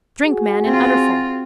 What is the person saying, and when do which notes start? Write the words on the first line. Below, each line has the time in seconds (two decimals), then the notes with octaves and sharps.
Drink, man, an udderful!
0.24 F#4 G#4
0.65 C4 F4